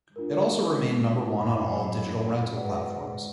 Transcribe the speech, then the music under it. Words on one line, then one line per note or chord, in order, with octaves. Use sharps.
It also remained number one on all digital rental platforms.
G#2 D4 F4 A#4
F#2 D#4 A#4 F5 B5 D6
G#2 F#4 B4 D5 F#5